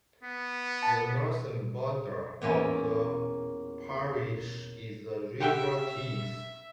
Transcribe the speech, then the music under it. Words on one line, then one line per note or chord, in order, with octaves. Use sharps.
The northern border of the parish is the River Tees.
B3
A5
E2 A#2 A#3 C#4 G#5
G4 E5 F#5 G5